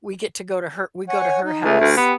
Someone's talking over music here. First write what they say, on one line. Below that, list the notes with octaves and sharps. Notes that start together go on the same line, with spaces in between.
we get to go to her we go to her house.
C#5 F#5 G#5
D#4
C#2 A3 B4
D2
B3 G4